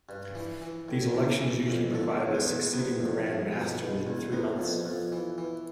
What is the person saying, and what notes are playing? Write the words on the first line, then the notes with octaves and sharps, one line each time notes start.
These elections usually provided a succeeding grand master within three months.
G2
E3
E3
A2
E3
E3
F2
D3 A4
E2
B3
E2
C3 B3
F2
F2
B2
B2
E2
C3 B3
F2
F2
E3
E3